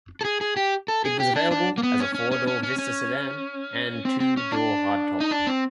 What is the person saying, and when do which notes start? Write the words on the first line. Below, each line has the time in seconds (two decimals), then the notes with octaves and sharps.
It was available as a four-door Vista sedan and two-door hardtop.
0.21 A4
0.25 G#4
0.41 G#4
0.57 G4
0.88 A4
1.05 G#4
1.20 G4
1.36 D4
1.51 D4
1.78 A#3
1.83 B3
2.00 C#4
2.15 C#4
2.31 C#4
2.47 C#4
2.63 C#4
2.78 C#4
4.05 C4
4.20 C4
4.37 C#4
4.52 D4
5.20 D#4
5.31 D4
5.47 C4